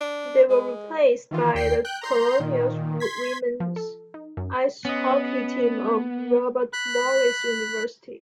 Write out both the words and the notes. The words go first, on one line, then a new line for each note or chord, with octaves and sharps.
They were replaced by the Colonials women's ice hockey team of Robert Morris University.
D4
G#3
D#3 E3 F4
D#2 G5 C7
G5 F#6 G6
A#5 C6 G6
A#2 D#3
C6 G#6 B6
F3
A4
D#4
F#2
B3 C#4 D#5
B5 F#6